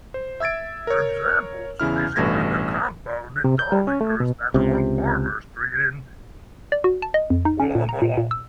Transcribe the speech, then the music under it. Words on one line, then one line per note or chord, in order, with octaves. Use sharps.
Examples of these include "The Compound" in Darlinghurst and along Palmer Street in Woolloomooloo.
C5
E5 E6 G#6 A6 D7
A#4 C#5
E2 C#3 E4 F6
A1 G2 B2 A3 G#6 A#6
C3
G6
G3
C#4
A3
B2
C#2 C3
D5
F#4
A5
D#5
F2
D#4
C#4
A#2
A#5
A#2
A#2
E6